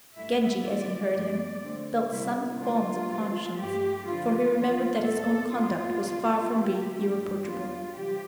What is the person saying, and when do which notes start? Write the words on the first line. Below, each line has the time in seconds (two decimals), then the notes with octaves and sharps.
Genji as he heard him, felt some qualms of conscience, for he remembered that his own conduct was far from being irreproachable.
0.16 G2 E3 A3 E4 E5
0.64 D3 A3 C4 E4 D5
1.14 G2 F3 B3
1.63 D3 A3 C4
2.11 C3 G3 C4 E4
2.59 D3 A3 D4 F4
3.09 C3 E3 G3 C4
3.57 G2 E3 A3 G4
4.05 D3 F3 C4 E4 F4
4.54 E2 D3 F3 F4
5.03 E2 B2 B3 A4
5.51 G2 E3 B3 E4 F4
6.00 B2 B3 D4
6.49 D3 F3 B3 E4 G4
6.97 G2 D3 F3 A3 G4
7.46 E2 D3 G3 B3 F4
7.95 C3 E3 G3 G4